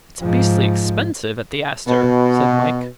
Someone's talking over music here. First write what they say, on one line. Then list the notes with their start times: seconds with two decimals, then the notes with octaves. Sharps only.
"It's beastly expensive at the Astor," said Mike.
0.21 G#2 F3
1.87 B2